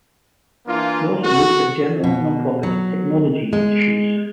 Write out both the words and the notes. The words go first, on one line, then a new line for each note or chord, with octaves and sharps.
He also looks at general nonprofit technology issues.
E3 A#3 D4 F4
F#4
B2
F#3
G#3